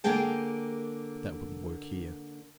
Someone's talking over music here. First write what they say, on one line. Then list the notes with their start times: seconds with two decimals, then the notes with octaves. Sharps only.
That wouldn't work here.
0.04 D3 A#3 G#4 A#4 G5 A5